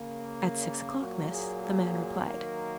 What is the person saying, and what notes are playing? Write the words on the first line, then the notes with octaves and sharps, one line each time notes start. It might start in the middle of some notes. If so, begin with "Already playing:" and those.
"At six o'clock, miss," the man replied.
Already playing: C#3 A#3
A#2 F#3 A#3 F#4
G#4
G#4
D#3 F#3 A#3 A#4